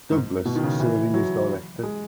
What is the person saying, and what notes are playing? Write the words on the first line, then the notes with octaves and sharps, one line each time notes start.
Douglass serving as Director.
G#2
B2
D#3
C#3
E3
F#3
G#3